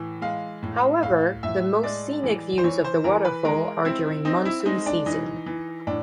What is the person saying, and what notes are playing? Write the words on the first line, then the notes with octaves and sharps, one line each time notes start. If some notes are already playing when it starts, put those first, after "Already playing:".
However, the most scenic views of the waterfall are during monsoon season.
Already playing: A2 E3
G#3 F5
A2
A2 F5
A2 E5
G#3 D5
E3
C5
E3 C#5
C5
E3 A#4
B4
G#3 A#4
C4 E4
C4 D#4
E4
G#3 D#4
D4
E3 D#4
E3
A2 D4